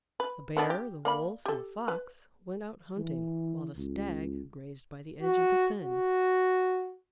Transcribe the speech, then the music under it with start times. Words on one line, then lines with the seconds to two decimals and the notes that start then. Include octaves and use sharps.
The Bear, the Wolf, and the Fox went out hunting, while the Stag grazed by the edge of the fen.
0.20 B4
0.57 D3 B3 D4
0.70 G4
1.05 A#3 D5 B5
1.46 G4 A4
1.88 B4
2.98 E3
3.77 C#2
5.22 F#4
5.82 F#4